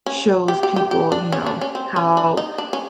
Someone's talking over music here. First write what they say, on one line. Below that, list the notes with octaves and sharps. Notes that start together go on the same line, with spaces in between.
shows people, you know, how,
C#4
G4
G4
G4
G4
D4
C#4
D4
C#4
C4
C#4
D4
D#4
D4
C#4